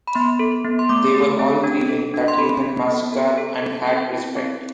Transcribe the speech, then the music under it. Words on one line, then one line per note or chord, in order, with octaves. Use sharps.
They were all grieving that human massacre, and had respect.
B5
B3 C6
A4
B3
C6
A3 D6
G4
C4
D4
A4
D4
C6
A4 B5
A4
B3
A4
A4
A4
C4 G5
E4
C4